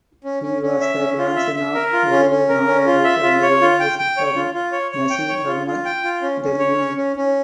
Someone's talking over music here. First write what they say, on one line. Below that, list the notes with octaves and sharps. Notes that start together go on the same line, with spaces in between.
He was the grandson of Urdu novel writer and religious reformer Nazir Ahmad Dehlvi.
C#4
C#4
C#4
E5
C#4
F4
E5
E5
A#4
F4
C#4
C#4
A#4
C#4
F4
E5
F4
C#5
F4
G5
G5
C#5
F4
F4
C#5
C#5
G5
C#5
F4
F4
G5
F4
C#4
C#4
C#5
C#4
C#4
C#4